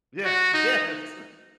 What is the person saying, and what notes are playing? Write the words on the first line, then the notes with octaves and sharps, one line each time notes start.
Yes, yes!
F#4
D#4